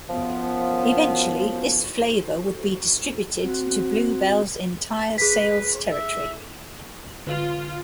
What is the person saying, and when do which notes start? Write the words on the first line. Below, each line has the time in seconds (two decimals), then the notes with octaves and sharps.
Eventually, this flavor would be distributed to Blue Bell's entire sales territory.
0.09 F#2 F3 B3
3.44 C4 F#4
5.18 G#4 B4 B6
5.91 E5
7.27 D3 F4